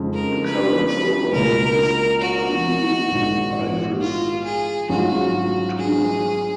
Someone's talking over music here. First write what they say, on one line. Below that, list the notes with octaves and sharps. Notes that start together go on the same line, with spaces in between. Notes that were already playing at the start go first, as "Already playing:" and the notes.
The current Provost is Aliyu Idris Funtua.
Already playing: F2 C#3 G#3 D#4
A#4
B4
B4
C#2 B2 A#3 A#4
F#4
A#1 G#2 D#3
F4
G#4
G#1 G#2 F#3 C#4 F4 F#4
G#4